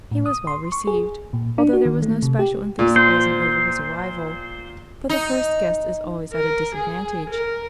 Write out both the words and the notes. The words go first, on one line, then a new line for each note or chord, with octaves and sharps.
He was well received, although there was no special enthusiasm over his arrival; but the first guest is always at a disadvantage.
A2
D#6
C6
C#6
G#4
A#2
D4
F#4
D#3
A3
C3
G4
A#2
C5
D#4
A#4
G#4
A#4